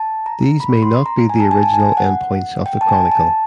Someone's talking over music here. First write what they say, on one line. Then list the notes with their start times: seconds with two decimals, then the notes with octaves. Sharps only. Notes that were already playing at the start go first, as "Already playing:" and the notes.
These may not be the original end points of the chronicle.
Already playing: A5
0.26 A#5
0.60 B5
0.82 C6
1.06 A#5
1.29 G#5
1.40 A5
1.51 G#5
1.63 A5
1.74 G#5
1.97 F#5
2.66 G5
2.81 A5
2.89 G#5
3.12 A5